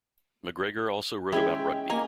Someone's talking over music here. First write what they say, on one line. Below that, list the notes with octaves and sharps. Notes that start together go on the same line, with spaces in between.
MacGregor also wrote about rugby.
G#3 C#4 E4 G#4 E5 G5
A#3 D#5 G#5 A#5